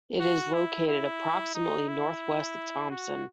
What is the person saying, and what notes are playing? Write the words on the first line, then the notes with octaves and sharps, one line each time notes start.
It is located approximately northwest of Thompson.
F#4
E4
E4
D#4
E4
F#4